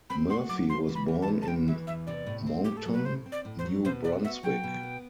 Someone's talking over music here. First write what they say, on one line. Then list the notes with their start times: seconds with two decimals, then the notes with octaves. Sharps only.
Murphy was born in Moncton, New Brunswick.
0.10 C4 B5
0.29 F#4 C6
0.49 F#3 D6
0.69 E2 C6
0.89 E3
0.95 B5
1.08 E2
1.22 A5
1.28 C3
1.42 A5
1.48 E2 G5
1.68 E3 E5
1.87 E2 E5
2.07 C3 D5
2.26 A2
2.47 C4
2.64 A2 G4
2.77 A4
2.86 F#3
2.92 B4
3.05 A2 C5
3.26 C4
3.32 D5
3.45 A2
3.59 C5
3.65 F#3
3.85 B2 C5
4.04 B3 D5
4.24 F#4 E5
4.43 F#3 G5
4.64 B2
4.83 B3